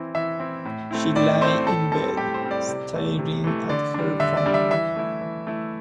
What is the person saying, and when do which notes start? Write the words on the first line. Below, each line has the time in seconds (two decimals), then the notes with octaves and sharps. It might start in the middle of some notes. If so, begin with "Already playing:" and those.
She lay in bed, staring at her phone.
Already playing: E3 C4 E4
0.15 E3 E5
0.40 C4 E4
0.65 A2
0.91 A3 C4 E4
1.16 A2 D5
1.41 A3 C4 E4 C5
1.67 A2 A4
1.92 G3 C4 A4
2.17 A2 G4
2.34 C5
2.42 G3 C4
2.51 D5
2.68 C3
2.93 E3 A3
3.19 C3
3.44 E3 A3
3.69 D3 D5
3.94 G3 D4
4.20 D3 E5
4.37 D5
4.46 G3 D4
4.54 E5
4.71 E3 E5
4.96 A3 E4
5.21 E3
5.47 A3 E4